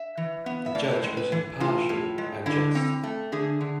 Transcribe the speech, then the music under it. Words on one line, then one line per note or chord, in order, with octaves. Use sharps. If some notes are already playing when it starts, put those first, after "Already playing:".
The judge was impartial and just.
Already playing: E5
E3
B3
E5
A2 D5
B4
C5
G#3
B4
E3
A2 F4
A2
G#3
D3 E4
C4
A3
D3 G#4
D3